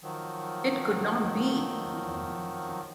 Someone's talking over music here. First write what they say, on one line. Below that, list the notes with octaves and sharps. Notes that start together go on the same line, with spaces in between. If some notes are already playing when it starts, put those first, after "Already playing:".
It could not be!
D#3 F3 F#3